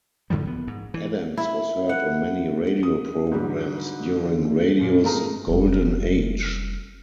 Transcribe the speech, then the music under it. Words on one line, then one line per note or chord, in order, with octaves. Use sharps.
Adams was heard on many radio programs during Radio's Golden Age.
G#2 D3 F3 G3
A#1 B3
G#2
E3
E4
F#5
D#6
G#2 D3 F#3 G3 G4
D3
F#2 A#2 C#3
G1 A3 F4 G#4 A#4 A#5
F1 G3